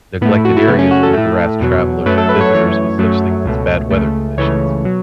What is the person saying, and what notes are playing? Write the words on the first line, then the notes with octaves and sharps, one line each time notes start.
Neglected areas would harass travelers and visitors with such things as bad weather conditions.
A2 A3 B3
E4
F#4
E4
F#2 C#3 A3 B3
C#4
F#4
A4
A2 A3
E2 B2 F#3
F#2 F#3 A3 B4
A4
B4
C#5
F#2 E3 A3 C#5
F#2 F#3 A3
C#2 B2 A3
C#2 C#3 A3
C#2 C#3 E3 A3 C#5
B2 F#3